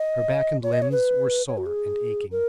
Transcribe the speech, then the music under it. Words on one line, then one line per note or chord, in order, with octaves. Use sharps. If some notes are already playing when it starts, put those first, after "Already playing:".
Her back and limbs were sore and aching.
Already playing: D#5
C#5
D#5
C#5
B4
C#5
F#4
G#4
A#4